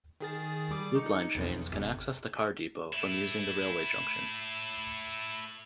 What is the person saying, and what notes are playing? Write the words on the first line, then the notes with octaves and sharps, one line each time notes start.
Loop Line trains can access the car depot from using the railway junction.
D#3 G#4 A6
G3 D6
D#4 C#7
B1 E2
G1 C3
A3 E4